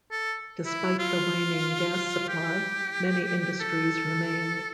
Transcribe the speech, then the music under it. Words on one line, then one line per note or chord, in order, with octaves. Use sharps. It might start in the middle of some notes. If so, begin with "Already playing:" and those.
Despite the waning gas supply, many industries remained.
A4
E4
F4
G4
A4